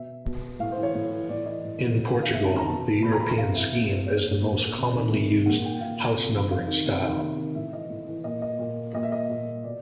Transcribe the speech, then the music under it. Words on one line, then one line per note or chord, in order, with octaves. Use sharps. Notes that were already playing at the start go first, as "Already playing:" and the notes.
In Portugal, the European scheme is the most commonly used house numbering style.
Already playing: B2 E5
B2
A2 F5
C5
E3
C#5
A2
E3
A2 D5
E3 D#5
A2
E3
C3
D#3
F5
C3 E5
A5
D#3
A#5
B2 A5
B2 B5
A#5
B5
A#5
C3 F5
E3 E5
C3 E5
E3 C5
A#2 C#5
A#2
C3
D#3
C3
D#3
A#2 F#5
G5
A#2 F5
C3
D#3
C3 F5
D#3
C3
D#3
C3
D#3
A2 E5
E3 D#5
A2
E3
A#2 D#5
D#5
A#2
A#2 D#5
E5
D#5
A#2
B2 D5